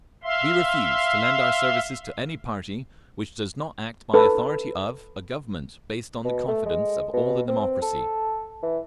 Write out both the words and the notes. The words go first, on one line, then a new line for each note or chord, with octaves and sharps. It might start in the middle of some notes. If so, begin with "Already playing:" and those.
We refuse to lend our services to any party which does not act by authority of ... a Government based on the confidence of all the democracy....
E5 F5 C6
A4 B4
B2
A3
G#3
B2
C4
A4
E3